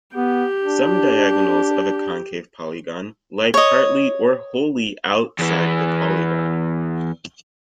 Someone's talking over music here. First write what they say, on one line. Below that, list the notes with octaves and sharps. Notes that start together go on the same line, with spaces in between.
Some diagonals of a concave polygon lie partly or wholly outside the polygon.
B3 G4
D4
C#5 D#5
E2 E3